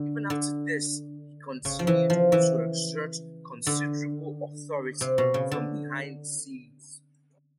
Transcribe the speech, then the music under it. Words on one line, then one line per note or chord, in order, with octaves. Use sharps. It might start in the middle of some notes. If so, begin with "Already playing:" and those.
Even after this, he continued to exert considerable authority from behind the scenes.
Already playing: D3
D3
C#3
F3
E3
F3
E3
D3
C3
B2
C#3
D3